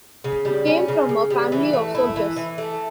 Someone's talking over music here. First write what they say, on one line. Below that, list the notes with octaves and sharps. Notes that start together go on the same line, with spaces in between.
He came from a family of soldiers.
C#3
G3
C#4
C#3
C#3
G3
E3
A3
E4
E3
E3
A3